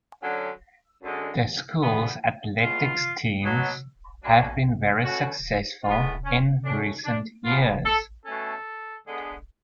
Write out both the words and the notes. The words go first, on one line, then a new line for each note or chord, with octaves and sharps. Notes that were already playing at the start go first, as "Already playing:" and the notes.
The school's athletic teams have been very successful in recent years.
D3 F#3 C#4
F#2 D3 G#3
F#2 D3 F3 B3 G#4
A2 G#3 B3 F4
B2 F#3 B3
B2 F#3 A3 C#4 D4
B2 A3 C#4 F#4
A2 G#3 B3 F4
C#4
B2 A3 C#4 D4
D4
C#3 F3 B3 F4
A4
B2 A3 C#4 A4
D3 G#3 B3